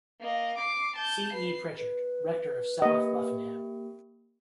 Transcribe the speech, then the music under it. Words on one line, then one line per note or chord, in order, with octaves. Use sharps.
C. E. Prichard, Rector of South Luffenham.
A#3 D#5
D6 C7
A5 G6
B4 C7
B4
A#3 G4 D#5